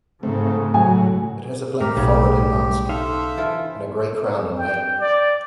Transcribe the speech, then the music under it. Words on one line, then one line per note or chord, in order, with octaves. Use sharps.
It has a black forehead and mask and grey crown and nape.
G#2 C#3 A3 C4
A2 F#3 G#5
A2 G3 A3 G4 A#4
B1 C#3 B3
D#4 A4 C5 E5 F5
E3 F4
G5
D5